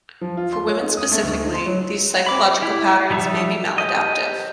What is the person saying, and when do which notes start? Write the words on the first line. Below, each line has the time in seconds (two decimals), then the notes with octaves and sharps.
For women specifically, these psychological patterns may be maladaptive.
0.21 F3
0.37 F4
0.53 C6
0.67 C#5
0.81 D#4
0.97 D#6
1.12 A3
1.23 D2
1.42 D#4
1.54 C6
1.66 F#3
2.26 B5 D6
2.62 E4 G4
3.10 F3 G3 D#4 A4 E5
3.78 G4 D#5